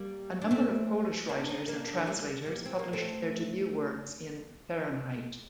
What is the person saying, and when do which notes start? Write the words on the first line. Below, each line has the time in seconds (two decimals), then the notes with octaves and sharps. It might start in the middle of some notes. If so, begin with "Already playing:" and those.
A number of Polish writers and translators published their debut works in "Fahrenheit".
Already playing: G3 A#3
0.42 D4
0.51 A3 C4
1.29 A#3 D4
1.48 C4 D#4
1.68 A#3 D4
1.87 A#3 D4
1.98 A3
2.07 G3 A#3
2.46 G3 A#3
2.65 C4
2.79 A#3
2.93 A3 C4